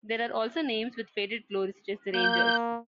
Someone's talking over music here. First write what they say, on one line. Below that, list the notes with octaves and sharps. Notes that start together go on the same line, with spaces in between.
There are also names with faded glory such as the Rangers.
A#3 G6